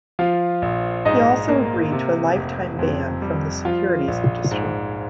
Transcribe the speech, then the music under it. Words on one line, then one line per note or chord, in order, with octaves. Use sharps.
He also agreed to a lifetime ban from the securities industry.
F3 F4 F5
A#1
G#2 D#4 D#5
A#3
C3
F1
F2
G3
F3 F4 F5
A#1
G#2